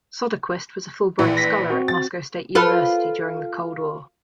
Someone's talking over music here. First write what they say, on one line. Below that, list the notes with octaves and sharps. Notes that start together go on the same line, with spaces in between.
Soderquist was a Fulbright Scholar at Moscow State University during the Cold War.
A#1 E3 E4 B4
A#6 B6
C4 F#4
A6
F4 A4 B4